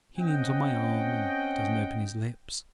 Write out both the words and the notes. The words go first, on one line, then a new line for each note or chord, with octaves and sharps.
He leans on my arm, and doesn't open his lips.
C4 C#4 D#5 F#5 G5